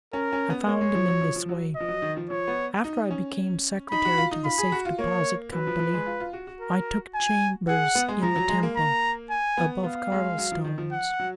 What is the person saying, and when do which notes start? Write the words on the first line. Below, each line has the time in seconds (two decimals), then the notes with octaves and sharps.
I found him in this way: After I became secretary to the Safe Deposit Company, I took chambers in the Temple, above Cardlestone's.
0.13 C#4 A#4
0.33 C#4
0.50 B3
0.67 A#3 C#5
0.81 G#3
0.95 F3
1.08 F#3
1.21 F3
1.36 F3
1.49 F#3
1.76 F3 D#5
1.89 F#3
2.02 D#3
2.17 F3
2.30 F3 C#5
2.48 B3
2.84 D#4
3.11 C#4
3.91 D#4 B5
4.05 F#4
4.18 F4
4.31 D#4
4.45 F4 B5
4.58 G#4
4.72 F#4
4.85 F4
4.98 A#3 C#5
5.53 F#3 B4
5.67 F3
5.79 F3
5.94 G#3
6.06 F4
6.20 F4
6.33 F#4
6.47 F#4
6.61 A#4
7.15 G#5
7.68 G#4 F#5
7.95 B3
8.08 G#3
8.23 F3 A#5
8.36 F#3
8.49 G#3
8.63 A#3
8.76 A#5
9.30 G#5
9.57 B3
9.84 B3 F5
10.12 G#3
10.38 F#3
10.52 F3
10.65 D#3
10.78 F3
10.92 F#5
11.20 F#3